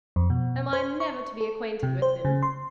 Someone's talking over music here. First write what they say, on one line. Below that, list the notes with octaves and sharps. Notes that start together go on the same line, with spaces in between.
Am I never to be acquainted with him?
F2
B2
C5
C#6
A4
C3
C5
C#3
C6